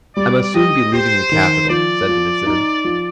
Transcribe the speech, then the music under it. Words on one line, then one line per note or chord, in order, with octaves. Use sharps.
"I must soon be leaving the capital," said the visitor.
G3 D5
G4 D#5
G4 C5
D#3
F3 D5
F3
D#4
F3